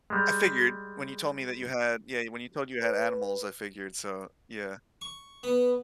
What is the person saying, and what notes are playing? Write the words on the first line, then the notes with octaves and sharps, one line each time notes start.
I figured, when you told me that you had yeah, when you told you had animals, I figured, so, yeah.
G3 G#3
B4
C#6
B3